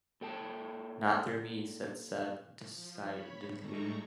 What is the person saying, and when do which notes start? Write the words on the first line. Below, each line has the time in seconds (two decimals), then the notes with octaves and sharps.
"Not through me," said Seb decidedly.
0.21 A#2 A4 G5 A5
2.73 F3
3.07 C#5 B5
3.58 A2 G3 G#3 A4 A#5 C#6